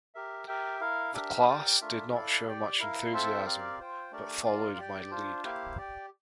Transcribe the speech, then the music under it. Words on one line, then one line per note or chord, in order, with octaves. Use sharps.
The class did not show much enthusiasm but followed my lead...
G4 A#4 E5
G4 A#4 E5 G5
E4 A#4 F5
D4 G4 A#4 E5
G4 A#4 D5 G5
A3 D4 F4 A#4 E5
E4 A4 D5 F5
G4 D5 G5
E4 A#4 F5
C4 F4 A4 C5 E5
C4 G4 A#4 D5 F5
F4 C5 G5
A3 D4 G4 A#4 D5
F4 A#4 D5 F5
G4 D5 G5
D4 F4 C5
A#3 E4 G4 C5 F5
G4 D5 G5